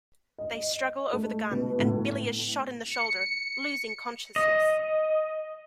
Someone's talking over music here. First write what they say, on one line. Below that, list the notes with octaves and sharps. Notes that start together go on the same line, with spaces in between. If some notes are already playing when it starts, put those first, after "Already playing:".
They struggle over the gun, and Billy is shot in the shoulder, losing consciousness.
D#5
A3
B2
A2
C#7
D#5